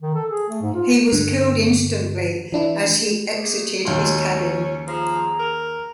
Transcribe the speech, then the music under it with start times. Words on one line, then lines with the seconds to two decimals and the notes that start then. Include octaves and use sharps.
He was killed instantly as he exited his cabin.
0.02 D#3
0.15 A4
0.30 G#4
0.49 A3
0.62 G#2
0.74 F4
1.12 G2 D3
2.52 E3 D4 E4
3.35 A3 A#3 G#4
3.85 D#2 C#4 F#4 C6
4.87 F3 G#4 A#5
5.39 A#4